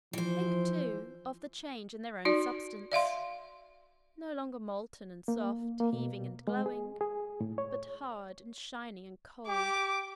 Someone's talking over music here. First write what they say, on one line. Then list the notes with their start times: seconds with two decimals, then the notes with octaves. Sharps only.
Think, too, of the change in their own substance--no longer molten and soft, heaving and glowing, but hard and shining and cold.
0.13 E3 F3 C5
2.25 D#4 F#4 D5
2.92 D5 E5 F5 C6
5.28 A#3
5.80 A#3
5.93 B2
6.48 G#3
6.66 G#4
7.01 G#4
7.41 A2
7.58 C#5
9.48 G4 D6